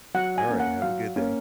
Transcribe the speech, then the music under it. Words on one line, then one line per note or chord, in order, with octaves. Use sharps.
Alright, have a good day.
F#3 F#5
G#5
A#3 C#4
F#5
F#3 F5
A#3 C#4